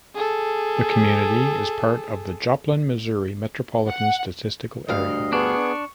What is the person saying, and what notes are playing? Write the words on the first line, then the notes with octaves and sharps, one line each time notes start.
The community is part of the Joplin, Missouri Metropolitan Statistical Area.
G#4 A4
F#5
D2 G2 D#5 F5
B3 D4 G#4 C#6